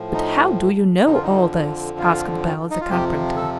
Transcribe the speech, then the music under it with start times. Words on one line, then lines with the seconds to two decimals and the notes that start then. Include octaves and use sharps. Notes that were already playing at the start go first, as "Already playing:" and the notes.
"But how do you know all this?" asked Bell, the carpenter.
Already playing: A2 F3
0.14 D#4
1.06 F2 D3 F3 D#4
1.14 F4
1.23 D#4
1.98 F4
2.71 D#4
2.81 F4
2.90 F2 C3 F3 G4
3.36 A4